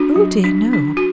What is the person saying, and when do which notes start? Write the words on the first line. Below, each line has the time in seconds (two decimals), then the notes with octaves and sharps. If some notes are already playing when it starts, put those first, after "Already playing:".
'Oh dear, no!
Already playing: D4 F#4
0.16 F#3
0.44 D4
0.73 D4
0.97 F#4